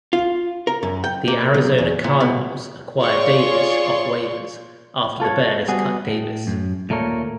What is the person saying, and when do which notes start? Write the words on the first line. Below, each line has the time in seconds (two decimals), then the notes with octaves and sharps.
The Arizona Cardinals acquired Davis off waivers after the Bears cut Davis.
0.13 F4
0.67 A#4
0.83 F#2
1.04 G5
1.28 A#3
1.54 B1
1.78 E2
2.04 A#2
2.20 B2
3.00 F4 G#4 C#5 D5 C6 C#6
5.20 F4 A4 A#4 C#5
5.68 G3 B3 F#4 G#4
6.08 A2
6.47 F#2
6.89 D#2 A#2 A3 A#4 C#5